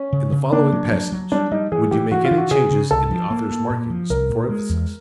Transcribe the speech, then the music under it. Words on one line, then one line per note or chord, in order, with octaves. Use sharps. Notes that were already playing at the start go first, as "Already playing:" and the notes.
In the following passage, would you make any changes in the author's markings for emphasis?
Already playing: C#4
C#3
C#3
A#3 D4
F#3
F#3
F#3
G3 D4
G3 D#4
E3 G#4
E3 G4
E3 F#4
F4
E3
F#4
C#3 G#4
C#3
C2 A4
F3
A#3
A#3
A#2
F3
C2 A#4
A#2
G#3
E2